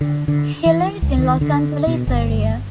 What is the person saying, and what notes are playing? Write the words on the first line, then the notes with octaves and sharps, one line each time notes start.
He lives in the Los Angeles area.
D3
D3
E3
C#2
D#3
D3
B2
G1